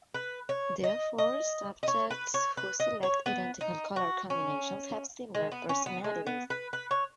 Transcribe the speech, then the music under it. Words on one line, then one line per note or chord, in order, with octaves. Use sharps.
Therefore, subjects who select identical color combinations have similar personalities.
B4
C#5
D#5
D#5
D#5
C#5
B4
C#5
B4
D#5
C#5
B3
D#4
F#4
C#4
G#3
B3
C#4
B3
G#3
B3
B4
B4
C#5